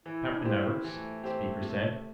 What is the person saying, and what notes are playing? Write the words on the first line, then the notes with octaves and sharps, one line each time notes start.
"Captain Everts," the speaker said.
E3 E4
D4
C4 E4 G4 C5
E3 A3
C4 G4 C5
C3